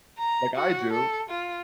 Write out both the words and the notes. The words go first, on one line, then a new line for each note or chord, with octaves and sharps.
Like I do.
A#5
F#4
A4
F4